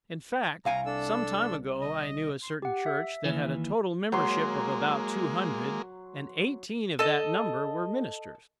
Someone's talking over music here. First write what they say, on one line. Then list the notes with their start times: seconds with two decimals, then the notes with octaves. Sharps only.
In fact, some time ago I knew a certain church that had a total membership of about two hundred, and eighteen of that number were ministers.
0.65 C2 F5 G#5 A#5
0.86 D4 A4 E6
1.81 D#5
2.43 C6
2.62 G4 F#5
2.86 E5
3.25 D#2 E3
4.12 F#3 G#3 A#3 C6
6.99 A4 D#5